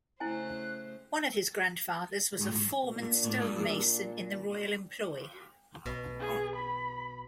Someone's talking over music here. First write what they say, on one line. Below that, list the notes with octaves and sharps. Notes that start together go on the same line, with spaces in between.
One of his grandfathers was a foreman stonemason in the royal employ.
C#3 A3 E4 C5 G#5 F#6
A#2 A#3 D4
B1 B2
G#4
B5